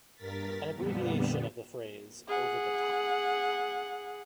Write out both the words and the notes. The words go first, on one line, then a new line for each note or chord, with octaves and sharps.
An abbreviation of the phrase "over the top".
G2 A#4 A6 B6
F2 A#2 D3 G3 B3
G#4 F#5